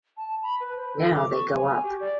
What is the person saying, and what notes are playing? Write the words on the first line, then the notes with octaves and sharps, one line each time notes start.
Now they go up.
A5
B5
B4
C5
A4
D6
C#6
G#5
G4
D5